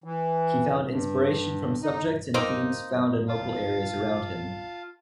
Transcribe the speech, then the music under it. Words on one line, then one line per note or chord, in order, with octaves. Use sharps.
He found inspiration from subjects and themes found in local areas around him.
E3
G2
D#4
A#3 C4 D#4
F4 F5 A5